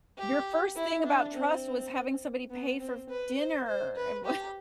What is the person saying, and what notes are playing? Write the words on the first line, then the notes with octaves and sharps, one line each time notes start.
your first thing about trust was having somebody pay for f dinner. It was,
G4
E4
D4
C4
B3
C4
B4
C5
C5
B4
G4